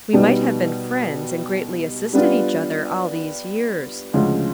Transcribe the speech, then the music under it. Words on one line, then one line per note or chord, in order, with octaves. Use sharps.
We might have been friends and greatly assisted each other all these years.
B2 G3 B3 D#4
G3 B3 D4 F4
D2 C#3 F3 G#3